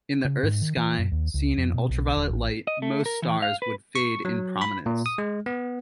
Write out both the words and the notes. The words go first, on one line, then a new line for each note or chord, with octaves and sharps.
In the Earth's sky seen in ultraviolet light, most stars would fade in prominence.
C#3
G#2
D#3
E3
F#2
D#2
C#2
F2
B2
B1
D#1
A1
D#5
A3
A#4
E3
F5
B4
C#6
F#3
B5
A#2
D#6
G#3
B3